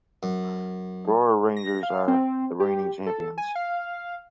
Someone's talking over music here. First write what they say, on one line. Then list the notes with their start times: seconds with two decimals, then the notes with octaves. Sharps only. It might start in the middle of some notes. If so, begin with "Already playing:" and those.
Brora Rangers are the reigning champions.
0.23 F#2
1.56 A#6
1.83 F5
2.08 C4
2.60 G4
3.06 A4
3.38 G#5
3.55 F5